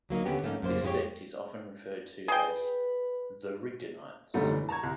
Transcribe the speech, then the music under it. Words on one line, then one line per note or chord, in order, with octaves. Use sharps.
This sect is often referred to as the Rigdonites.
D2 F#3 A#3 D#4
D#2 D3 B3 C#4 G4
G#2 F3 A3 A#3 C#4 D#4
F#2 A#3 C5
F2 G#3 E4 F4 G4 C#5
G#4 B4 G5
E1 F#2 D3 G3 A3 D#4
E3
A5 A#5 C#6 G#6
C2